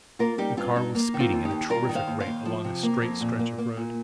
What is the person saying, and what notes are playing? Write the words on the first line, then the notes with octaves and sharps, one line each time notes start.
The car was speeding at a terrific rate along a straight stretch of road.
A#3 F4 A#4
G3 D#4 G4
G2 C4 F4
G2 D#4
A#3
D#3
C4 F4
D#2
D#4 G4
D#2
G3 F4 A#4
D#3
C5 F5
D#2
C5 F5
D#2
F3
C3
A#3
F2
A#2
A#3
A#3
A#2